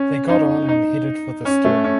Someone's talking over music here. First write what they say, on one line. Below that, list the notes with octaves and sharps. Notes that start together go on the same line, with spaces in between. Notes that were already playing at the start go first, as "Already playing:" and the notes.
They got on and headed for the stern.
Already playing: C#4
D#4
D#4
C#4
A3
C#4